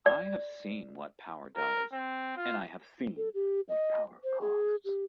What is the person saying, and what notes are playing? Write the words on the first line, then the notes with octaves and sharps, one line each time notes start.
I have seen what power does, and I have seen what power costs.
D5
A#4
C4
F4
A4
G4
D#5
C5
G#4
G4